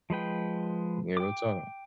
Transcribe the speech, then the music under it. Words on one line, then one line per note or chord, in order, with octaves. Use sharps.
Yeah, real talk.
F3 G#3 B4 G5
G5 D6